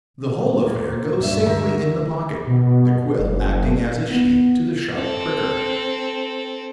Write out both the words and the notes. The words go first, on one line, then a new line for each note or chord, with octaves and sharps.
The whole affair goes safely in the pocket; the quill acting as a sheath to the sharp pricker.
A#2
G2 E5
D2 A#4 E5
B2
F#1
B3
C4 A4